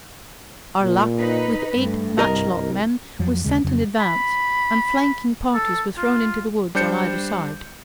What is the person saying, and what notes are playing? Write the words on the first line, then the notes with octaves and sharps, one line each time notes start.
Arlac, with eight matchlock men, was sent in advance, and flanking parties were thrown into the woods on either side.
A#2
D#4 B4
G2 A3
C2 A#4 D#5
C2
F2 F3 F#3
D#2 C#3 G#3
F2 C#3 F#3
B5
A4
F4
G3 D4 C5 G6 C#7